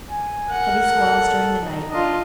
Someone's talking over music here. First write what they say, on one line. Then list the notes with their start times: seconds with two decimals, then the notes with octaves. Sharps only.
Heavy squalls during the night.
0.10 G#5
0.49 A#4 F#5
0.88 A4
1.62 D#4
1.91 D4 F4 D#5